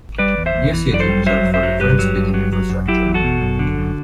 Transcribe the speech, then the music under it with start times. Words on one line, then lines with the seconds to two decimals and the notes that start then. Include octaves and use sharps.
New city reserved for the French speaking infrastructure.
0.18 G3 B4 D5
0.37 E2
0.46 C5 E5
0.55 E2
0.73 E3
0.91 F#2 D5
1.00 A4 C5
1.09 G3
1.26 F#3 C5 E5
1.44 F#2
1.54 C5 E5
1.63 F#3
1.80 G2 G4 B4
1.99 F#3
2.16 G2
2.34 F#3
2.53 F#3
2.69 F#2
2.88 F#3 E4 G4
3.06 E2
3.14 F#4 A4
3.24 B2
3.41 F#2
3.59 D3
3.78 F#2